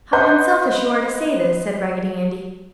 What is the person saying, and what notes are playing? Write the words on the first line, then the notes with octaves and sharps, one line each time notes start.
"How unselfish you are to say this!" said Raggedy Andy.
B4 D#5 F#5 C6 G6